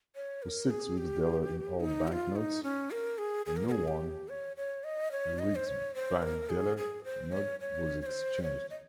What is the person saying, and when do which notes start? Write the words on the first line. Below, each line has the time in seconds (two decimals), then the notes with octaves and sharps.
For six rigsdaler in old banknotes, a new one rigsbankdaler note was exchanged.
0.16 C#5
0.43 A#4
0.70 G#4
0.98 G4
1.80 D#4
2.08 G4
2.12 F4
2.36 D#4
2.63 C#4
2.91 A#4
3.18 G#4
3.46 G#4
3.57 A#4
3.68 A#4
3.72 G#4
3.88 G4
4.29 C#5
4.57 C#5
4.84 D#5
5.12 C#5
5.39 D#5
5.55 C5
5.67 C#5
5.95 C5
6.23 A#4
6.49 G#4
6.77 G#4
7.04 C5
7.32 C#5
7.60 C#5
8.02 C#5
8.06 C5
8.43 C#5
8.70 D#5